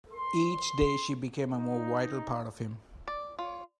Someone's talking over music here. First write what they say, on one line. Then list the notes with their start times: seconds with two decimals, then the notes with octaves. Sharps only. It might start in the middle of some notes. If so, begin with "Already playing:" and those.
Each day she became a more vital part of him.
0.12 C6
1.49 D#4
3.08 D5
3.39 F4